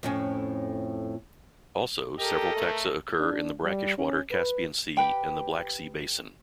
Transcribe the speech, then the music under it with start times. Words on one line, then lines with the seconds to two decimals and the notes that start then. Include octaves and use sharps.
Also, several taxa occur in the brackish-water Caspian Sea and the Black Sea basin.
0.03 F2 A2 C#4
2.18 G4 A4 A#4 D#5
2.57 A3
3.20 D4
3.63 G3
3.98 C#4
4.31 B4
4.97 G4 B4 G5